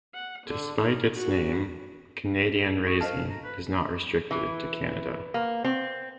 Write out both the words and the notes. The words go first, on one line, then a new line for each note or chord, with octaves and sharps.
Despite its name, Canadian raising is not restricted to Canada.
F#5
D3
D#3
F#4
A4 C#6
C5 D#5 F5 A5
A#5
B4
E3
A#3
C4